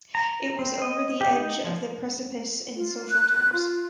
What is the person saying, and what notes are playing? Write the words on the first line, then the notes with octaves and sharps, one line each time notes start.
It was over the edge of the precipice in social terms.
A#5
C4
D#5
G4
D#4
F3
F4
F#6
F4